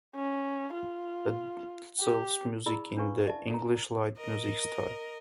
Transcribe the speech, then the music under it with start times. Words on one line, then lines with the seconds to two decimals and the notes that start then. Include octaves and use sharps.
Addinsell's music is in the "English light music" style.
0.15 C#4
0.74 F4
2.00 G4
2.66 E4 G#4 D5 A#5 B5 E6
2.97 C#4 D4 B4 F5 C#6
3.27 D5 E5 A5
3.51 A#4 A#5
4.17 A#4 D#5